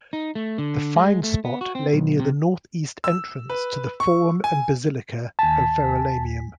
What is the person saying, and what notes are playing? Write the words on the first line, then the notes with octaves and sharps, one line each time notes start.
The find-spot lay near the north-east entrance to the forum and basilica of Verulamium.
D#4
A3
D3
G#3
A3
B3
F#4
C4
B1
C3
E6
B4
C#6
G#5
D#2 G#5 A5 B6